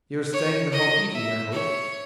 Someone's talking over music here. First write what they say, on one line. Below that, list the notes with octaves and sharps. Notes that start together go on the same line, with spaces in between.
"You are staying the whole evening, I hope?"
C#5
D#5
E5
C#5